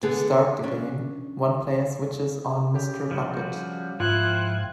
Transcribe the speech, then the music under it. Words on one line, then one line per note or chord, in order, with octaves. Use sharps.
To start the game, one player switches on Mr. Bucket.
D3 B3 G#4
C#4 D4
C#3 G4
F3 G3 F#4
G#2 F3 E4 F4 C5 G5 F#6 G#6